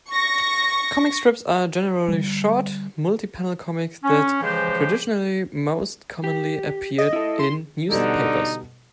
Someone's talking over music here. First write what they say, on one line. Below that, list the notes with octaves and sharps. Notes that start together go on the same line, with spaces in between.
Comic strips are generally short, multipanel comics that traditionally most commonly appeared in newspapers.
C#6 A#6
D3 G3
C#4
C#3 E3 F3 G#3 G4 C5
G4
D#5
E4 A4
C6
B2 D3 G3 D#4 A4